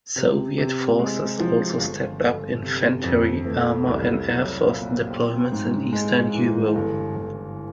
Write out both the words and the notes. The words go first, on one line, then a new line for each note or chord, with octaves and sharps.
Soviet forces also stepped up infantry, armor and air force deployments in Eastern Europe.
C3
C3
G#3
F3
G1
G1
C3
F2
A3
C2
F#3
A#2
C4
G#2
G#3
E3
G1
G1